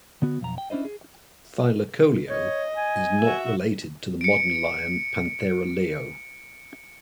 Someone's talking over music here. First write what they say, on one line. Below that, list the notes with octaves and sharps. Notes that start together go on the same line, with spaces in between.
"Thylacoleo" is not related to the modern lion "Panthera leo".
D3 B3 F#4
B1 F2 A#5
G5
C#4 D4 E4 C5 D#5
G#4
C#5 D#5
G#5
F#4 E5
C#7 D7